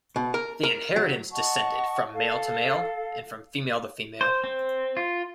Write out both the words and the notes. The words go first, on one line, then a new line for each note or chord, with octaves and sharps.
The inheritance descended from male to male and from female to female.
B2
A#4
A#4
F#3
D#5 F#5 A5 C#6
A4 F5
C5
C4
F4